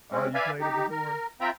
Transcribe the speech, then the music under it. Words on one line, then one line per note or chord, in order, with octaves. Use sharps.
Oh, you played it before?
G#3 C4 C#4
B4 D5 E5 F5 G#5 B5
D#4 G4
A#4
C4 F4 E5 G5 A#5 B5